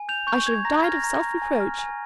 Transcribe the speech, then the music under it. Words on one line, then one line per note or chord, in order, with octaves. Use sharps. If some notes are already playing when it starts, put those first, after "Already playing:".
I should have died of self-reproach.
Already playing: G#5
G6 F7
C#6 G6
G6 G#6
A#5 A#6
F6 G#6
A#6
A#5
A#5
G#5
F6
G#5